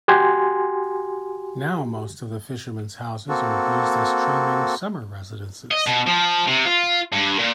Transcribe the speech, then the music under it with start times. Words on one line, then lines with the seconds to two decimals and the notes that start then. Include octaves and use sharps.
Now most of the fishermen's houses are used as charming summer residences.
0.08 F#4 G4 G#5 C6
3.29 A#3 C4 F#4 A4
5.71 D#5
5.87 B2
6.07 F3
6.47 C3
6.66 F4
7.12 G2
7.39 A#2